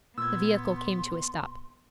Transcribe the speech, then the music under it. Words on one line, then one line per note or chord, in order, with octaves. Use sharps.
The vehicle came to a stop.
A#2 B3 C6 E6 G#6